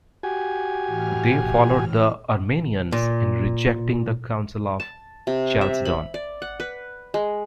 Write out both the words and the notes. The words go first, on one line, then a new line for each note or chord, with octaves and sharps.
They followed the Armenians in rejecting the Council of Chalcedon.
F#4 G4 G#5
A2 E3 F6
A#2
A5
C3
E5
B5
D5
F#5
B4
G#3